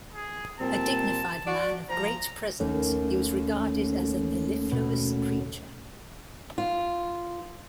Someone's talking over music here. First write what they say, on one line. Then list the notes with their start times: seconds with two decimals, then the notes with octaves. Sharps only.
A dignified man of great presence, he was regarded as a mellifluous preacher.
0.14 G#4
0.60 A#2 G3 C4 A5
1.47 F#4 D5
1.89 F3 A#5
2.60 D#2 A3 C#4
4.71 B2
6.58 F4